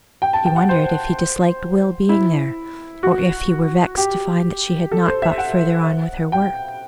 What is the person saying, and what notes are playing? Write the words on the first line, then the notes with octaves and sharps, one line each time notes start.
She wondered if he disliked Will being there; or if he were vexed to find that she had not got further on with her work.
G5
A5
G5
F#5
C5
E4
F#4
G4
A4
C5
E5
F#5
G5